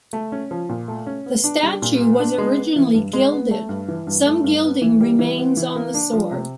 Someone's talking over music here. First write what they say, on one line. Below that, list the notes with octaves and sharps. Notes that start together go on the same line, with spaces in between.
The statue was originally gilded; some gilding remains on the sword.
A3
C#4
F3
A#2
A3
C#4
B3
D4
G3
A#2
B3
D4
G#3
B3
E3
G2
G#3
B3
A3
G2
E3
G2
A3
G2
B3
E3
G3
E3
B3
E3
A#3
D4
F3
C3